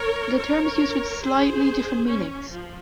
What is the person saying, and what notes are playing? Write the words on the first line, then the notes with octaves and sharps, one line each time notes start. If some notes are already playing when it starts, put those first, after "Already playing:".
The term is used with slightly different meanings.
Already playing: A#4 C#5
A#4 C#5
G#4 C5
C#4
F3